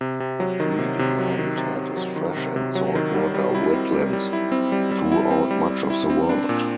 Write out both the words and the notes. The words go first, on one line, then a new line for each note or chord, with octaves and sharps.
The breeding habitat is fresh and salt-water wetlands throughout much of the world.
C3
C3
F#3
D#3
C3
C3
F#3
D#3
C3
C3
F#3
D#3
C3
C3
F#3
D#3
G3
G3
E4
C4
G3
G3
E4
C4
G3
G3
E4
C4
G3
G3
E4
C4
D4
A#2